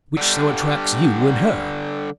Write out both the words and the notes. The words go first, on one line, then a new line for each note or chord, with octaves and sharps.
Which so attracts you in her.
D3 G3